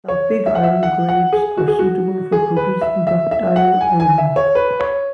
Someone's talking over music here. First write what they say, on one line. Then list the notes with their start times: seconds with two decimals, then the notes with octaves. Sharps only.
Some pig iron grades are suitable for producing ductile iron.
0.08 C#5
0.46 E5
0.55 F#5
0.63 E5
0.83 F#5
1.09 F#5
1.32 G#4
1.57 F#4
1.68 G#4
1.79 F#4
2.32 G#4
2.56 B4
2.81 E5
3.07 E5
3.31 E5
3.56 F#5
3.81 G#5
4.00 G#5
4.18 E5
4.36 C#5
4.55 B4
4.80 C#5